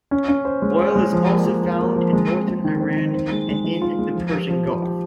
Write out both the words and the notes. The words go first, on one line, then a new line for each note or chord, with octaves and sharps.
Oil is also found in northern Iran and in the Persian Gulf.
C#4
C#4
C5
G#3
C5
G#3
F3
A#3
F3
A#3
A#3
F3
G#3
C4
G#3
D#3
C4
D#3
C5
G#3
G#3
G#3
F4
G#3
F3
G4
F3
F3
G4